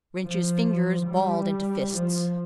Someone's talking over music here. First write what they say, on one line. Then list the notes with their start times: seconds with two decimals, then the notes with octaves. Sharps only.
Rynch's fingers balled into fists.
0.23 F3
1.06 G3
1.91 F3